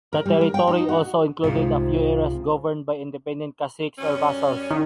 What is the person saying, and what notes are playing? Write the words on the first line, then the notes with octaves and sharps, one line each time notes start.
The territory also included a few areas governed by independent caciques or vassals.
A#4
G3
A#4
G5
D#4
F#4
C2 G#2 C3 F3 G#3 F4
F#2 G3 C#4
D#3